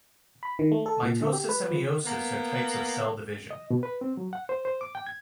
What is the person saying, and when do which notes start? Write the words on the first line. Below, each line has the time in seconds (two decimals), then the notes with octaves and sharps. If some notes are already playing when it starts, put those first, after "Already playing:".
Mitosis and meiosis are types of cell division.
0.43 B5
0.59 D#3
0.72 A3
0.86 A4
1.03 A#2
1.21 D3
1.33 G4
1.49 B4
1.71 F3
2.05 A#3 B3
3.51 D#5
3.70 B2
3.83 B4
4.01 C4
4.17 F#3
4.33 F#5
4.49 C5
4.65 C5
4.81 D6
4.95 G5
5.07 G#6